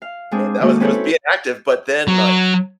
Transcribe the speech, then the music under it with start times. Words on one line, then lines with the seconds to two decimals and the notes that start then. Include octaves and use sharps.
and I was it was being active, but then, like,
0.02 F5
0.31 G#3 C4 D4 G#4
0.60 D#3 G#3 A#3 F#4 A4
0.80 C4 C#4 E4 A4 B4 C#5
2.08 F#3